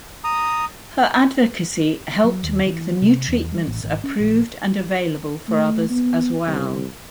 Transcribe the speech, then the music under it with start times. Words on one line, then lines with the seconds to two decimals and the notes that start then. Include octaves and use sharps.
Her advocacy helped make the new treatments approved and available for others as well.
0.24 A#5 D#6
2.24 F#3
2.43 D#2
2.66 E3
3.02 C3
3.28 E2
3.52 G3
3.67 A1
3.83 G#1
4.04 C#4
4.20 A#1
5.49 A3
5.90 B3
6.47 C2